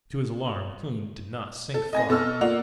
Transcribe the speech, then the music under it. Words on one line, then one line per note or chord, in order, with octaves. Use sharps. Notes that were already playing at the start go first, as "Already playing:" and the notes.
To his alarm, Kloon did not sink far.
A4
D#5 G#5 A#6
B2 A4 D#5 E6 F6
A#3 F4 D5 F#5 F7